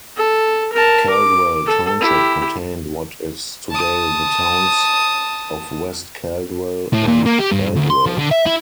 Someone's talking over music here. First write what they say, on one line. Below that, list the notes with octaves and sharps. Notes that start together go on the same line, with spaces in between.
Caldwell Township contained what is today the towns of West Caldwell and Caldwell.
A4
A#4 A5
D6
A4
E4 G4
A5 D#6
A2
A#2
A#3
G4
G2
D2
C6
F3
D3
E5
E4